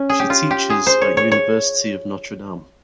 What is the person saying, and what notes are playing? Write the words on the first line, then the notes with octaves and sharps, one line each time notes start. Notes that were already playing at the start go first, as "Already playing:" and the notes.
She teaches at University of Notre Dame.
Already playing: C#4
G#4
G4
F4
G4
G#4
C5
C#5
C#5
C#5